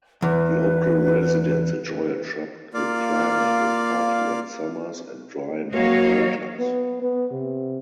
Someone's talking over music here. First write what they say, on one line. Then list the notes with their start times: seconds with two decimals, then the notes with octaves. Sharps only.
Local residents enjoy a tropical climate with hot, wet summers and dry, mild winters.
0.22 E2 B4
2.74 A#3 F4 D5 F5
5.73 F#3 A#3 F#4 C#5 D#5 F5
6.59 B3
7.02 B3
7.31 C3